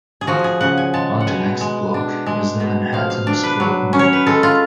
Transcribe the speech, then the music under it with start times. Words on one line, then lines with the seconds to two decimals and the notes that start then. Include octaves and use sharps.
On the next block is the Manhattan School of Music.
0.21 G#4
0.27 F3 F#4
0.44 G#4
0.61 C#3 F#5
0.77 G#5
0.94 G#3 A5
1.20 F#5
1.27 B2 G#5
1.61 G#3
1.94 D4
2.26 G#3
2.60 B2
2.93 F3 F5
3.10 F5
3.27 D4
3.43 B4
3.60 F#3
3.93 C#4
3.99 C#5
4.13 B4
4.26 G#3 A4
4.43 F4